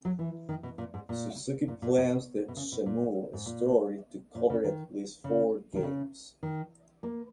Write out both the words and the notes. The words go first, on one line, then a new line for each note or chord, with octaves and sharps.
Suzuki plans the "Shenmue" story to cover at least four games.
F#3
E3
D#3
B2
A#2
G#2
A#2
A#2
A#2
B2
B2
C#3
B2
A#2
G#2
A#2
A#2
C#3
D#3
C#3
D#3
C#3
D#3
A#3